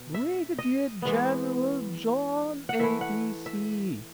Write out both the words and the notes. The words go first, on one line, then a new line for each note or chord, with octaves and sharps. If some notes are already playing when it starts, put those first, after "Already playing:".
Brigadier-General John A. B. C.?
Already playing: B2
E5
D#5
E3 G#3 B3
F#5
E3 A3 E4 E5
F#5
E5